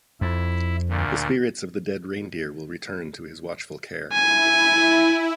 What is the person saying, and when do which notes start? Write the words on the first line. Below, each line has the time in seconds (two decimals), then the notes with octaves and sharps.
The spirits of the dead reindeer will return to his watchful care.
0.21 F2 E4
0.89 D2 A#2
4.12 E4 G#5